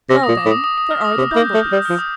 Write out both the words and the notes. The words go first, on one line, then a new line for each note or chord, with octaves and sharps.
"Well, then, there are the Bumble-Bees."
C3 A#6
D#6
A#2
D6
A2
D#6
D#6
D#6
F6
D#6
C3 D#6
G6
A#3
G6
A3
F6
G3 G6
F6
F3
D#6